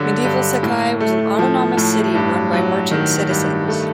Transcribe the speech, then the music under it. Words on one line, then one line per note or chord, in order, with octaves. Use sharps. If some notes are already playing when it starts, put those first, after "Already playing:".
Medieval Sakai was an autonomous city run by merchant citizens.
Already playing: G2 D3 F#3
G2
A2
A3
F3
A2
G2
F#3
D#3
G2
A3